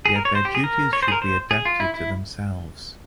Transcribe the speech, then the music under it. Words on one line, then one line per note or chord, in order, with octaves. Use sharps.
Yet their duties should be adapted to themselves.
G#4
A#4
C#5
C5
G4
G#4
A#4
C#5
C5
G#4
A#4
C5
G#4
F4
E4
E4